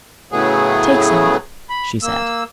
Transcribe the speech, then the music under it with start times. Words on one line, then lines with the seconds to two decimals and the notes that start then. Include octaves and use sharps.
"Take some," she said.
0.32 A2 C#3 F#3 A3 B3 G#4
1.69 B5
2.02 A#3 E6